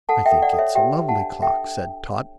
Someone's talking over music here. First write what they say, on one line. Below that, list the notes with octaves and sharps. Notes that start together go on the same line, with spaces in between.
"I think it's a lovely clock," said Tot.
A4 F#5 A5
E5 G5
A4
D5 F#5
A4
C#5 E5
G4 E5 G5
B4
F#5 A5
D4
A4 E5 G5
D4
D4
C#5